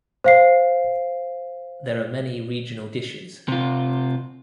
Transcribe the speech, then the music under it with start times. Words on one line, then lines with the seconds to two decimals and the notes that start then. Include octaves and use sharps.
There are many regional dishes.
0.24 C5 F5 C7
3.48 C3 F4